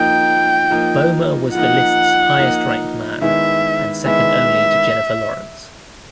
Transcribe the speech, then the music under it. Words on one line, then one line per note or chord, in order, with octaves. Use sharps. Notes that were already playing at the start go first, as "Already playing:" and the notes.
Bomer was the list's highest ranked man and second only to Jennifer Lawrence.
Already playing: F3 A#3 D#4 G5
F3 A#3 D#4
F3 A#3 D#4 F#5
F3 A#3 D#4
D#3 G#3 B3 E4 E5
D#3 G#3 B3 E4 E5